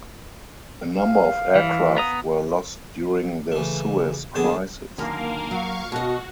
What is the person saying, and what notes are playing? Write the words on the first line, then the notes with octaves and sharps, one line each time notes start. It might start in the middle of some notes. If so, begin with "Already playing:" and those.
A number of aircraft were lost during the Suez crisis.
F5
E3
B3 A#5 D#6
C#3 E3 A3
A#1 D3 B3 G#4 A5
F#2 D3 D#3 A#3 A#4 F5
F#3 F5 C#6
B2 F#4 D#5